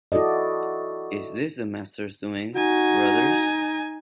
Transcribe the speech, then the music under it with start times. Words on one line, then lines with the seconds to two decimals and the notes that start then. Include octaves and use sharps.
Is this the Master’s doing, brothers?
0.12 E4 F#4 A4 D5 D#5
2.55 D#4 F#4 G#5